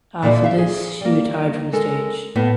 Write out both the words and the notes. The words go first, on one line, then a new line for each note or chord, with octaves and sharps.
After this she retired from the stage.
A#2 D3 E4 C5 D5 D#5
E5 F5
G#4
G3 A#3
G#3 A4 A#4
A2 B3